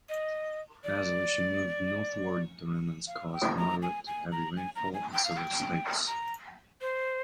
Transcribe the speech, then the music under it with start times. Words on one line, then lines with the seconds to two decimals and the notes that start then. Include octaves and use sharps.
As Alicia moved northward, the remnants caused moderate to heavy rainfall in several states.
0.09 D#5
0.84 D5
3.07 F5
3.33 G5
3.58 A#5
3.83 G#5
4.07 G#5
4.32 A#5
4.57 G#5
4.76 A#5
4.94 G#5
5.13 G5
5.25 F5
5.37 G5
6.07 A#5
6.81 C5